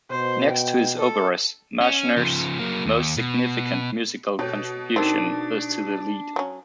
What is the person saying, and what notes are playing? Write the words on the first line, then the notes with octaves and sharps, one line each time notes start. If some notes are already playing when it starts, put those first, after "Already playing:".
Next to his operas, Marschner's most significant musical contribution is to the Lied.
B2 C5
G5
A4
C#4
C#3 F3
F#3 A#3
D#2
B2
B2 G4 A4 C#5 A5
D#3 C4 D4 D#4 A4 A#4
F#3 C#4